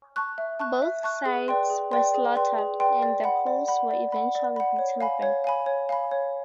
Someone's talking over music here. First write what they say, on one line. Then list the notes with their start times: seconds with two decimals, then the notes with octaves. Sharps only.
Both sides were slaughtered, and the Poles were eventually beaten back.
0.16 A5 C#6 F#6
0.38 E5
0.60 A5 C#6 F#6
0.82 E5
1.03 A5 C#6 F#6
1.26 G#4
1.48 B4 D5 G5 C6
1.70 G#4
1.92 B4 D5 G5 C6
2.14 G#4
2.36 B4 D5 G5 C6
2.59 G#4
2.80 B4 D5 G5 C6
3.03 D5
3.24 F#5 B5
3.47 D5
3.68 F#5 B5
3.91 D5
4.12 F#5 B5
4.35 D5
4.56 F#5 B5
4.79 C#5
5.01 F5 G#5 B5
5.22 C#5
5.44 F5 G#5 B5
5.66 C#5
5.89 F5 G#5 B5
6.11 C#5